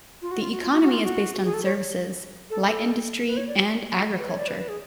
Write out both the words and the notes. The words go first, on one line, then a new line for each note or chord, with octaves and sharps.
The economy is based on services, light industry and agriculture.
F4
F#4
F4
F#4
F4
F#4
F#4
F4
F#4
G#4
A4
C#5
A4
A4
B4
C#5
D5
B4
C#5
D5
B4
B4
G#4